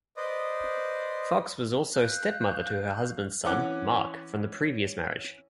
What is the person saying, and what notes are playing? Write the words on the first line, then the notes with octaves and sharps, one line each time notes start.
Foxx was also step mother to her husband's son, Mark from a previous marriage.
B4 C5 D5 D#5
F5 F#6 G6
E3 C#4 C#5 F#5 D6 F#6